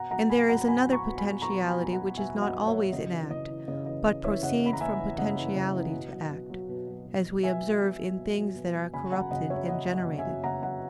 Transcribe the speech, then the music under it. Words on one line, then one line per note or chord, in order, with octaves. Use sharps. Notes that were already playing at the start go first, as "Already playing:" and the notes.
And there is another potentiality which is not always in act, but proceeds from potentiality to act; as we observe in things that are corrupted and generated.
Already playing: B2 F#5 A#5
F#3 F#5 A#5
B2 G#5 B5
F#3 F#5 A#5
A#5
B2 G#5 B5
F#3
A#5 C#6
B2
G#5 B5
F#3
B2 A#5 C#6
F#3
G#5 B5
B2
F#5 A#5
F#3
B2 E5 G#5
F#3
D#5 F#5
B2
C#5 E5
F#3
C#3 D#5
E3
C#3 D#5
E3
C#3 D#5
E3 D#5
C#3 D#5
E3 C#5 E5
C#3 D#5 F#5
E3 B5
A#5
C#3 E5 G#5
E3
C#3 D#5 F#5
E3
C#3
E3
B2
F#3
B2
F#3
B2
F#3
B2
F#3
B2 E5 G#5
F#3
B2
F#3
B2
F#3
B2
F#3
C#3 G#5 B5
F#3 F#5 A#5
C#3 D#5 F#5
F#3 C#5 E5
C#3 D#5 F#5
F#3
D#5 F#5
C#3
E5 G#5
F#3
C#3 F#5 A#5
F#3 F#5 A#5